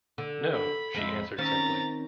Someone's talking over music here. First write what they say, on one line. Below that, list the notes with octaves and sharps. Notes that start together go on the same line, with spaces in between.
"No," she answered simply.
D3
B5
F2 G#3 E5
D#3 C4 C#4 A#5 A6